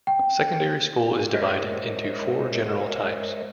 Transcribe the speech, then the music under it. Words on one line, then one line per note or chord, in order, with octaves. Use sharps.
Secondary school is divided into four general types.
G5
G#3 A#4 C5 C#5 D#5 E5